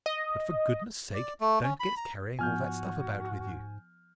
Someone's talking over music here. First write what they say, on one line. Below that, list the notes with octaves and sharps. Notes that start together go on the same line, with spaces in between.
But, for goodness sake, don't get carrying all that stuff about with you.
D#5
D5
A3
C#4
B5
A#5
G#2 F3 B3 F4 F#4 G#5 F6 G6